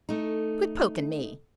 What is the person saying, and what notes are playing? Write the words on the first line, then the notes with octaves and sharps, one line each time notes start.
"Quit poking me!"
A3 D#4